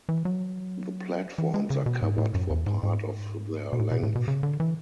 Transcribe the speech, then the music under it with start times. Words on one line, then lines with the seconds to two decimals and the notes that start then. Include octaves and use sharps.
The platforms are covered for part of their length.
0.09 E3
0.25 F#3
1.38 E3
1.54 G#3
1.70 C#3
1.86 B2
2.02 G#2
2.18 A2
2.34 F#2
2.50 E2
2.66 G#2
2.83 G#2
3.73 B2
3.79 A2
3.91 B2
4.03 A2
4.15 B2
4.28 C#3
4.43 D3
4.60 E3